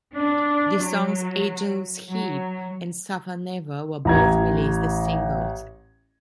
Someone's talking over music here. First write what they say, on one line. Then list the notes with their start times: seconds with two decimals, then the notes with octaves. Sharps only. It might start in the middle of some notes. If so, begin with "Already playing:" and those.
The songs "Angel's Heap" and "Suffer Never" were both released as singles.
0.15 D4
0.76 F#3
2.10 F#3
4.05 A1 A#5 G#6